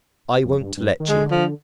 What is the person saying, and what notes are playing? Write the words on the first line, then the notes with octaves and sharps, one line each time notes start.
I won't let you.
F2
G2
G2
D#3
D3 G#3
F3